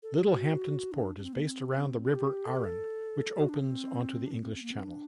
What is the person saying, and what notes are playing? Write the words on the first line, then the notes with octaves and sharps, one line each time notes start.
Littlehampton's port is based around the River Arun, which opens onto the English Channel.
A4
G4
F#4
D4
D4
C4
A#3
C4
A4
G4
A4
G4
A4
F#4
D4
C4
D4
C4
C4
C4
A#3
C4
D4